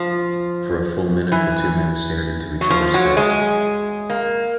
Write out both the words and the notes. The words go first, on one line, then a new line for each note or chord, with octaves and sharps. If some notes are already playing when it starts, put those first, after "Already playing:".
For a full minute the two men stared into each other's face.
Already playing: F3
E3
F#3
F3
F#3
G#3
A#3